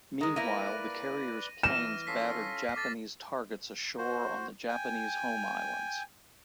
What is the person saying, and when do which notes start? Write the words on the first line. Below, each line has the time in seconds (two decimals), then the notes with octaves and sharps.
Meanwhile, the carriers' planes battered Japanese targets ashore on the Japanese home islands.
0.21 D#3 G#3
0.36 A#3 E4 B4 D5 F#6 A#6 D#7
1.63 E3 D#6 F6 A#6 D#7 E7
2.07 C#4 F4 A4 B6 C7
2.76 A4 D6 D#6 A6 A#6
3.98 F#4 C5
4.69 G5 G#5